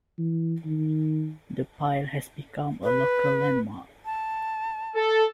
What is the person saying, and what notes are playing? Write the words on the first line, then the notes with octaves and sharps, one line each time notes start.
The pile has become a local landmark.
E3
D#3
B4
A5
A4